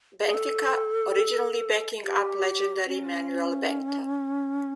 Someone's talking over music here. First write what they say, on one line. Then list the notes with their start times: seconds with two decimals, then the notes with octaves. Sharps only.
Benfica, originally backing up legendary Manuel Bento.
0.25 G#4
0.34 A4
2.03 G4
2.87 C#4